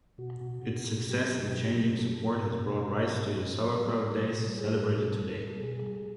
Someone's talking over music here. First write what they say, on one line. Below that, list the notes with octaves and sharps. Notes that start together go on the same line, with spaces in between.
Its success in changing support has brought rise to the Sauerkraut Days celebrated today.
B2 F#4
B2
B2
B2
F#3 G4
B2
F#3
B2
F#3 A4
B2
B2 A#4
B2
B2
F#3
F#3
F#3
G3
G3
B2
G3
G#4
G3 A4
B2
G3
G3
A4
B2 G#4
G3